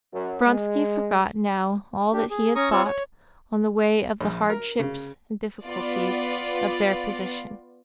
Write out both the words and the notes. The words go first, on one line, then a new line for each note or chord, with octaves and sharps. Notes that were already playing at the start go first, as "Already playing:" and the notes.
Vronsky forgot now all that he had thought on the way of the hardships and difficulties of their position.
F#2
G#3
D4 G4
G#4
C#4 A#5 C#6 D#6
C4 F4 C#5 C#6 E6
C#5
A#1
A#4
C#3
B3 F4 D5